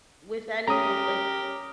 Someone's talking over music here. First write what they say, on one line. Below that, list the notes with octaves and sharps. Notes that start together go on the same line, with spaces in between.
with anything like,
C#4 G4 A#4 C#5 A#5 D#6